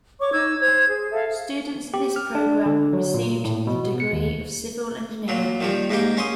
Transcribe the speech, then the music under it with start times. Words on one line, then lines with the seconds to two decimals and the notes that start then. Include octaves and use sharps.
Students in this program received the degree of civil engineer.
0.20 C#5 C#6 D6
0.32 D#4 E6 G#6
0.60 C5 G#6
0.89 G#4
1.11 A4 E5 F5
1.94 G4
2.16 F6
2.35 D4
2.66 D3
2.93 F#3
3.14 A#2
3.44 A2
3.67 B2
4.00 C#7
4.13 D#2
5.28 A#2 F#3
5.60 D#3 F3 G3
5.90 G#2 A#3 D#4 G4
6.17 C#4 C6 D#6